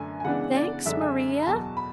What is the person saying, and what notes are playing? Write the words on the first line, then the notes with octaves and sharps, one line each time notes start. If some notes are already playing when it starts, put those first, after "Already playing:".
"Thanks, Maria."
Already playing: F#2 D3 A3 D4 G#5
G#5
C#3 E3 G#3 B3 D4 F#5
D5
F#2 D3 G#3 D4 E5
G#5
B5
E2 B2 F#3 A5
B5